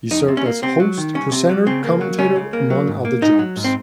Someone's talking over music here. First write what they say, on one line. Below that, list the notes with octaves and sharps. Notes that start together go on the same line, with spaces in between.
He served as host, presenter, commentator, among other jobs.
F2 D#4
C3
C#4
A#3
C3 C4
F#3
D#3
C2 C#4
C3
F#3
C#3 C4
A#3
F#3
C#2 C#4
C#3
A#3
F#3
G#2
A#3
G#2 D#4
F#3
G#2
C4